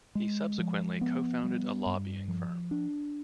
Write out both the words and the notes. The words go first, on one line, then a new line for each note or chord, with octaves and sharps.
He subsequently co-founded a lobbying firm.
G#3
F3
B3
G3
G2
F3
D4